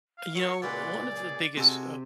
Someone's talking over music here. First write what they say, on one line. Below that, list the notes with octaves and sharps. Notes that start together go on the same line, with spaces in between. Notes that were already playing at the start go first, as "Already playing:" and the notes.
You know, one of the biggest, uh,
F5
F#3 F4 A#4 C#5 C#6
C#2 A#2 C#3 F#4 B4 D5 C6
G#4
C3 G#3 F#4 A4 G#6